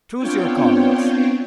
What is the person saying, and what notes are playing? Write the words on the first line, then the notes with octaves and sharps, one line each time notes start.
"Choose your colleagues."
B3 C4 D4 F4 C#5 G5